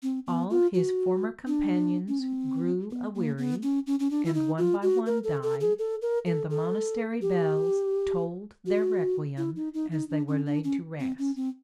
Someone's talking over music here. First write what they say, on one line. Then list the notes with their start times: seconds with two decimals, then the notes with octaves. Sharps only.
All his former companions grew aweary, and one by one died, and the monastery bells tolled their requiem as they were laid to rest.
0.03 C4
0.26 B3
0.50 F4
0.74 F#4
1.47 D4
2.08 C#4
2.19 C4
2.91 B3
3.15 A#3
3.38 B3
3.63 C#4
3.87 C#4
4.00 C#4
4.10 D4
4.25 E4
4.34 D#4
4.58 F4
4.82 F#4
5.06 A#4
5.24 A4
5.43 A4
5.60 G#4
5.79 A4
6.02 A#4
6.26 A4
6.50 A4
7.22 G4
8.66 F#4
9.37 E4
9.56 D#4
9.74 D#4
9.92 D#4
10.09 D4
10.28 C#4
10.46 D4
10.64 C#4
11.00 C4
11.18 C#4
11.36 C4